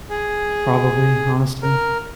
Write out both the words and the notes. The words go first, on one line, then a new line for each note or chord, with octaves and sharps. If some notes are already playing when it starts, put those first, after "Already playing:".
Probably, honestly.
G#4
A#4